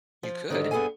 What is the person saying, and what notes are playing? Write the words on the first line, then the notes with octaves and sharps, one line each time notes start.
You could.
F3
G#2 D3 D#3
G2 B3 G#4 A4 F5 G#5